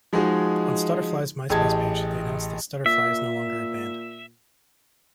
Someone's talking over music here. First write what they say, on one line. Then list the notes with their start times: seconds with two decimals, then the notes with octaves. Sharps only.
On Stutterfly's Myspace page they announced that Stutterfly is no longer a band.
0.13 F3 G#3 D#4 F#4 G#4
1.50 A1 G4 G#4 D#5 A5 G#6
2.86 A#2 E5